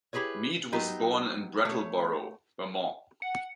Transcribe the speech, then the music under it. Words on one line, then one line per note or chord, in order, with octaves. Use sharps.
Mead was born in Brattleboro, Vermont.
E4 G4 G#4 B4 C#5
F#3 B3 D#4 G4
A3 C#5
F#5